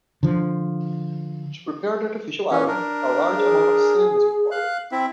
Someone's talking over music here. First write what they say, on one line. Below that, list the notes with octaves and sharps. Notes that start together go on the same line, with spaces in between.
To prepare the artificial island, a large amount of sand is required.
D3 F3
E3 C#4
D4 A#4
G#4
F5 F#6
C4 E4 E5